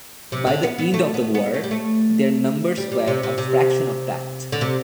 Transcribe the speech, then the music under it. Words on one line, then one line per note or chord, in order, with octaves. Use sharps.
By the end of the war, their numbers were a fraction of that.
C3
D3
B3
B3
A3
B3
B3
A3
G3
A3
G3
G3
C3
C3
C3
D3
C3